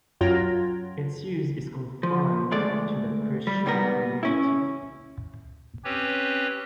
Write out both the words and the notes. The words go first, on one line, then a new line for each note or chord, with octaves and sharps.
Its use is confined to the Christian community.
F#2 F#3 F4 G5 G#6 A#6
F3
D2 G#3 A3 D5
G3
G#2 G3 B3 A#4
C#4 E4
C4 C#4 G4 B4 C#5